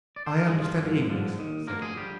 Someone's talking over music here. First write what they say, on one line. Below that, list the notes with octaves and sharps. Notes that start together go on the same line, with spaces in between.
"I understand English," said he.
D5
C5
A#4
G2 D#3 G#3 G#4
F3 F4
G2 D3 F3
G2 D3 F3
D#2 D#3
D2 D3 F3 A#3 A#4
G#3 G#4
D3 F3 G3 G4